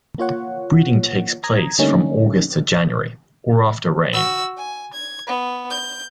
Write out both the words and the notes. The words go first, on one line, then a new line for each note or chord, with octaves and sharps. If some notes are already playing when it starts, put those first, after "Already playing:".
Breeding takes place from August to January, or after rain.
A#3 F4 C#5 F#5
A#5 D#6 G#6
D3 G3 A3 A#3 C#4 D#4
F#4 E6
G#5
G#6
B3
G6